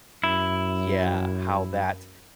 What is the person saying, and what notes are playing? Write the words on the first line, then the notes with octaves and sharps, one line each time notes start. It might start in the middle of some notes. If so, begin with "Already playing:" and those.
yeah, how that
F#2 E4